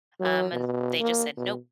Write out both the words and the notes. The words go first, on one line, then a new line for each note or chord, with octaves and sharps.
Um, and they just said, nope.
F#3
B2
A#3
B2